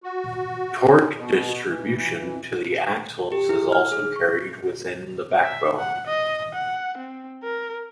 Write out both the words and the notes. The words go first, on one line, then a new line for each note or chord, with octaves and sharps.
Torque distribution to the axles is also carried within the backbone.
F#4
B2
E3
G4
E4
F6
G#4
C#6
E5
F#5
D#5
F#5
C4
A#4